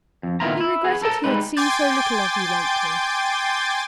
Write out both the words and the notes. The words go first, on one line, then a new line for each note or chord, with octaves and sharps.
He regretted he had seen so little of you lately.
F2
A#2 D#3 B3 E4 F4 A#5
E4
B3 G#4
A4 A#4 D#5 A5
G3 G#3 D#4 B4
G5 G#5 C6 D6 G6 A6